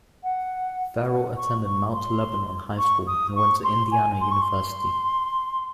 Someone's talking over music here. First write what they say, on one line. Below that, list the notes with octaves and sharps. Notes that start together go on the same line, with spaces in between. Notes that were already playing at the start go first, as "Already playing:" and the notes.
Ferrall attended Mount Lebanon High School and went to Indiana University.
F#5
F#5
C#6
C#6
C6
C#6
D#6
C#6
C6
G#5
C6
C#6
C6